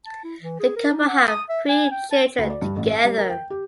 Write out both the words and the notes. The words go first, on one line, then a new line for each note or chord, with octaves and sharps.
The couple have three children together.
A5
E4
E3
G#4
A#4
D#4
F#5
D#6
E5
G#5
G5
A5
D2
D5
G2
A1
E5
G3
A#4
G5
G4